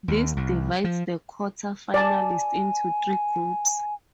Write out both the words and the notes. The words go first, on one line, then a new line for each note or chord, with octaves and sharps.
This divides the quarter finalists into three groups.
D#2
C2
F3
D5 G#5 A5